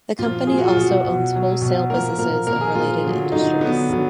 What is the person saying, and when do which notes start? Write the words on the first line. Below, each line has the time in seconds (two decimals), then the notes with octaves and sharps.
The company also owns wholesale businesses in related industries.
0.19 A#2 F3 F4
0.47 A#2 F3 G#4
0.57 F#4
0.68 F4
0.76 B2 F#3 F#4
1.04 B2 F#3
1.33 B2 F#3
1.61 B2 F#3
1.90 A#2 F3 A#4
2.18 A#2 F3 A#4
2.47 A#2 F3 A#4
2.61 G#4
2.75 A#2 F3 F4
3.04 D3 F#3
3.32 D3 F#3 D#4
3.61 D3 F#3 B3
3.90 D3 F#3